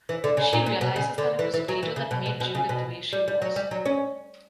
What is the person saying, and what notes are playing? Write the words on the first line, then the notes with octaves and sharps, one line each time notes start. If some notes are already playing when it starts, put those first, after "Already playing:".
She realizes that it was Dido that made Judith the way she was.
E3
D3
C#3
A#2
A#2
B2
C#3
D3
E3
E3
F#3
E3
C#3
B2
B2
B2
C#3
B2
G3
G3
F#3
G3
F#3
C#4